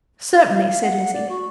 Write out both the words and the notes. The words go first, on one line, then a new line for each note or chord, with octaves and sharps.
"Certainly," said Lizzie.
F5
F5
F#5
D5
F#4